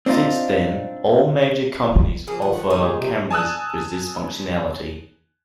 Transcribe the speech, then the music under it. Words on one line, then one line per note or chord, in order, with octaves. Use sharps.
Since then all major companies offer cameras with this functionality.
C4 D4 D#4 F4
C#3 F3 A#3 G#4
D#3 F3 F#5
A#2 D#3 G3 D#4
G#4
C3
G#5 A5 D#6 E6 F#6